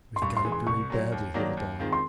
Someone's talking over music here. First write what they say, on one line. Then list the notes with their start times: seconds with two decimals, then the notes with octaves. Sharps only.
'We've got it very badly, little dog!
0.16 C6
0.22 G2 C#6
0.37 C6
0.45 E3 G#3
0.52 C6
0.67 C2 C#6
0.90 A#2 F#3
1.12 D#2
1.34 D#3 F#3 A#3 D4
1.57 D#2
1.79 D#3 G#3 C4 F4
1.92 C6